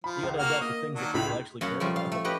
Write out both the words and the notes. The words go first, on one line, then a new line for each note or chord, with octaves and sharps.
you gotta adapt the things that people actually care about.
F3 B5
C#2
A#3 F#4 F#5 F6
A#3 D#5
D#3 F#3 D4
C#2 A2 B5 F7
F#2 C#4 F5 F#5 A#5
F3 G3 A3 F4
F5
A3
C#4 G4 B4 D#5